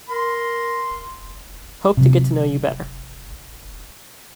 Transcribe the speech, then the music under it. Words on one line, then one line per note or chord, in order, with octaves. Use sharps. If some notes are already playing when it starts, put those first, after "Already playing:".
Hope to get to know you better.
A#4 C6
C3 F#3